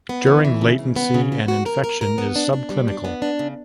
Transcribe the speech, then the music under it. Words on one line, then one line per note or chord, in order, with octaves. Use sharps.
During latency, an infection is subclinical.
B3
E3
E3
C#3
C#3
B3
C#3
B3
F#4
A#4
A#4
A#4
B3
D4
D4
G3
D4
B3
D4
C#3